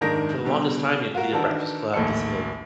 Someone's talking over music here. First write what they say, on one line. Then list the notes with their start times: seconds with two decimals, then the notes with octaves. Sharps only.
for the longest time, you because he did Breakfast Club, did some of
0.01 F#1 G#2 D#3 D4 A#4 A#6
0.45 B2 D3 G3
1.14 F4 F#4 A#4
1.32 D#3 E3 D4 F#4 A4 A#4
1.94 A#1 D#2 A2 A4 C#7